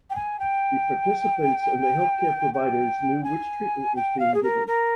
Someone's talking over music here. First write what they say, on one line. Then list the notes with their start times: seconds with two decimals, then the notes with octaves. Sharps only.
The participants and the health care providers knew which treatment was being given.
0.10 G5
0.15 G#5
0.39 G5
2.54 G5
3.24 G#5
3.96 G5
4.20 F5
4.34 G#4
4.43 A#4
4.67 A#4